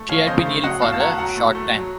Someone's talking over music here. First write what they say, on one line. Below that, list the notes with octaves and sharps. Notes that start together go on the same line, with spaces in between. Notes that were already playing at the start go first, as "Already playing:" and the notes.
She had been ill for a short time.
Already playing: A3
F3 C#5 F5
C#3 C5 D#5
A3
F#3 D#5 F#5
A2 F5 A5
A5
A3 F#5 A#5
F#3 F#5 A#5
A2
A3
F#3